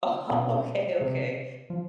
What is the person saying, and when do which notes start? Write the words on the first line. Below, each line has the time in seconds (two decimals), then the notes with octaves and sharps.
Oh, okay, okay,
0.31 B2
1.01 C3
1.70 F3